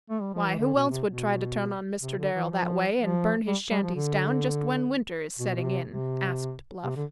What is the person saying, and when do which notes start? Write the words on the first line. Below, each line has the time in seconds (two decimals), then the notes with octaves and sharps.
"Why, who else would try to turn on Mr. Darrel that way, and burn his shanties down just when winter is setting in?" asked Bluff.
0.10 A3
0.21 G3
0.34 F3
0.46 E3
0.59 D3
0.74 B2
0.90 C3
1.07 B2
2.03 C3
2.18 D3
2.35 E3
2.51 F3
2.99 F3
3.47 G3
3.71 G3
3.83 F3
3.95 D3
5.39 B2
5.56 B2
5.63 C3
5.87 C3
6.84 C3
6.96 D3